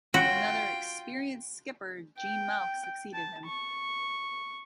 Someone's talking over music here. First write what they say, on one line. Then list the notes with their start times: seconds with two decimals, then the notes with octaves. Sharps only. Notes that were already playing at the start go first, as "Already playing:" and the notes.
Another experienced skipper, Gene Mauch, succeeded him.
0.14 F4 F#4 G5
2.18 G5
3.13 A5
3.46 C#6